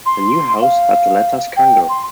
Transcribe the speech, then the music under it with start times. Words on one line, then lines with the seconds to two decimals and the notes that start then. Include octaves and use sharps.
The new house had the letters Kungl.
0.06 C6
0.62 F5
1.57 G5
1.89 C6